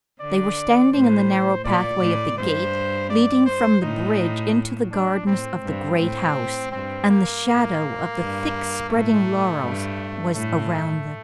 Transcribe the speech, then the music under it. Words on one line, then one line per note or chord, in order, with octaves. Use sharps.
They were standing in the narrow pathway of the gate leading from the bridge into the gardens of the Great House, and the shadow of the thick-spreading laurels was around them.
D3 D5
A2 C5
A#2 D5
A2
G2 C5
D5
C5
A2 D#4
D4
A2 C4
G2
A2
A2
G2 C4
A#3
A2
G2
A2 A3
G2
A2 A3